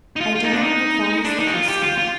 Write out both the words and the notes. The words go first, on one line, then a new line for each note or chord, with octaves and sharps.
I do not advise the custard.
D#4
F4
F4
D#4
D4
D#4
D4
D#4
G4
F4
G4
F4
F4